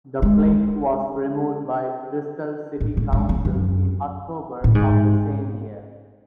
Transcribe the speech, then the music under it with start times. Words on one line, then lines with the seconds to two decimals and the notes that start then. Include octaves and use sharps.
The plaque was removed by Bristol City Council in October of the same year.
0.22 G#3
2.81 A2
2.97 A2
3.13 G#2
3.29 E2
3.45 F#2
4.64 A2
4.75 G#2